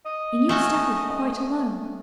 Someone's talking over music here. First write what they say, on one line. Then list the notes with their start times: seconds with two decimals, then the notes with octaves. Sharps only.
'In your study, quite alone.
0.06 D#5
0.49 A3 C#4 F#4